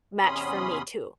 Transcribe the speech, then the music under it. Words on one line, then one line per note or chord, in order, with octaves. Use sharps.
match for me too."
E2 C3 C#4 B5 C6 D#6